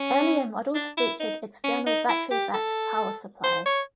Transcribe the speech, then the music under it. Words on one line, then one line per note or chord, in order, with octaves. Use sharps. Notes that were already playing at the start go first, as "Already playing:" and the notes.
Earlier models featured external battery-backed power supplies.
Already playing: C#4
D4
E4
D#4
C#4
D#4
E4
G4
A4
C5
C#5